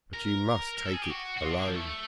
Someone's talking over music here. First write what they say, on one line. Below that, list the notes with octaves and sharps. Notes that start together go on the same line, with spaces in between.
But you must take it alone.
A#4
A#4
A4
G#4
G4
F#4
F#4
F4
D4
A#3
F3
A3